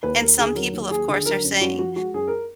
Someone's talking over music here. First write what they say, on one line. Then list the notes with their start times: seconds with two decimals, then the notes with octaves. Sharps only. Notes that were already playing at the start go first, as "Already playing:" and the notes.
and some people, of course, are saying,
0.03 D#2 B4
0.21 D#2 A#4
0.38 D3 G#4
0.55 F#3 A#4
0.73 D#2
0.91 D#2 G#4
1.08 D3 G#4
1.25 F#3 A#4
1.44 F#2
1.61 F#2 F#4
1.79 F3 F#4
1.96 G#3 F#4
2.14 F#2 G#4
2.28 A#4